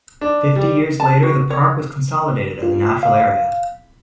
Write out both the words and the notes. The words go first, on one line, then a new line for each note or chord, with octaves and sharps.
Fifty years later the park was consolidated as a natural area.
D4
G3
A5
F#4
C#5
F4
F5